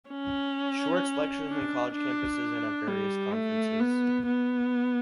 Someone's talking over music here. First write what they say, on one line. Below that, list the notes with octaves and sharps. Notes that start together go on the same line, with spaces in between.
Schwartz lectures on college campuses and at various conferences.
C#4
D4
D4
G3
A3
B3
B3